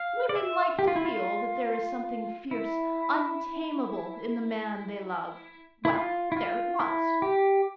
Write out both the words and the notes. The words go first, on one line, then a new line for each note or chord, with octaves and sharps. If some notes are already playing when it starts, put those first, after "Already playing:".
Women like to feel that there is something fierce, untamable in the man they love; well, there it was.
Already playing: F5
D5
E5
G4
F4
E4
F4
E4
E4
F4
E4
F4
E4
G4